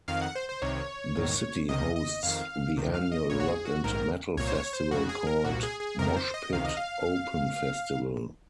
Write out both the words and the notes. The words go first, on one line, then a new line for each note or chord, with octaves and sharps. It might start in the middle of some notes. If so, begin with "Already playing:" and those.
The city hosts the annual rock- and metalfestival called Moshpit Open Festival.
F2 D#3 F5
F#5
C5
C5
C2 C3 D#3 C#5
A#1 G#2 D#3
C#2 C3 D#3 D#5
D#5
F2 D#3 F5
C#2 C3 D#3
F5
D#5
A#1 A#2 C#5
F#4
G#4
F#4
A#1 G#2 D#3 A#4
C2 A#2 C#5
C5
C#5
C5
F2 C#3 F#4
G#4
A#4
C2 A#2 F#4
G#4
G#4
F2 C3 D#3 A#4
C5
D#5
C#2 C3 D#3 F5
D#5
F5